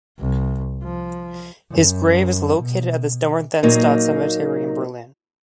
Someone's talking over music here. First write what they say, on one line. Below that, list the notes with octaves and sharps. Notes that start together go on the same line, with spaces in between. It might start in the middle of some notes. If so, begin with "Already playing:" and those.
His grave is located at the Dorotheenstadt Cemetery in Berlin.
C2
F3
F#2
B2
A#2 F#3 A#3 D#4